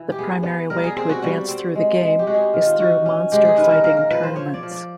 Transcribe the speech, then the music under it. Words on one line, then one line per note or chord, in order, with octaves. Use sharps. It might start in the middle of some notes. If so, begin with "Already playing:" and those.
The primary way to advance through the game is through monster fighting tournaments.
Already playing: E3
G4
B3 G#4
B3
G3 A#4
G#4
C4 G#4
F#4
G3 F#4
C4
G#3
G#3
G4
G#3 F#4
G#4
G4
D#3
F4
D#3 F#4
C#4
G#3 G4
G#4
D#3 B4
A#4
A#3 A#4
A#4
F3 B4
C5
F3 C#5
D5
F3
D5